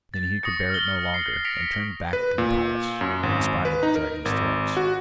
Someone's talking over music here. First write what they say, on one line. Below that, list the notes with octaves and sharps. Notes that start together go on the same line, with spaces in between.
Then he could bear it no longer and turned back to the palace, in spite of the dragon's threats.
A6
C#6 D#6 A#6 C#7
F6 G7
C7
A#6 B6 C#7 D7 F7
B4
A#2
F#2
G#1
B4
D#4
A#4
G#1
F#4